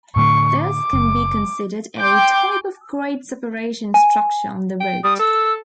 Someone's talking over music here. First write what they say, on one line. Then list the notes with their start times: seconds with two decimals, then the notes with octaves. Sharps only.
This can be considered a type of grade separation structure on the road.
0.16 A2 D3 A3 C#6
0.61 D6
0.93 F#1
1.99 G5 C6 D6 G6
3.94 G#5
4.80 G5
5.04 G3 D#6
5.19 A4 E6